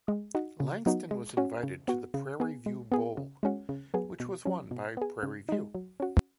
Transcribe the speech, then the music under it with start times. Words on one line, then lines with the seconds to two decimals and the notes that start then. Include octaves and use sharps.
Langston was invited to the Prairie View Bowl, which was won by Prairie View.
0.08 G#3
0.35 D#4 F#4
0.60 C#3
0.86 F#3 B3 D#4 F#4
1.11 G#3
1.37 C#4 F#4
1.63 C#3
1.88 B3 F#4
2.14 C#3
2.40 B3 G#4
2.66 G#3
2.92 B3 G#4
3.17 C#3
3.43 G#3 C#4 F#4
3.69 C#3
3.94 F#3 B3 G#4
4.20 B2
4.45 F#3 C#4
4.71 B2
4.97 B3 G#4
5.23 C#3
5.49 G#3 D#4
5.75 F#3
6.00 C#4 F#4